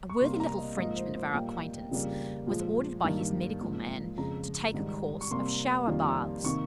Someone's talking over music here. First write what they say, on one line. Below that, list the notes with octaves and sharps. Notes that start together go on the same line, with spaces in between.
A worthy little Frenchman of our acquaintance was ordered by his medical man to take a course of shower-baths.
C#6
C3 G3 A#3 C6
A#5
D#5
G#2 F3 A#3 D#5
C5
C5
A#2 G3 A#3 G5
F2 C#3 G3 A#3
A#2 F3 G#3
G2 D#3 G3 A#3
G#2 F3 A#3
F2 C#3 F3 G#3 A#5
G#2 D#3 G3
C#6
C3 G3 A#3 C6
F2 D#3 G3 A#3
C3 D#3 A#3 C#6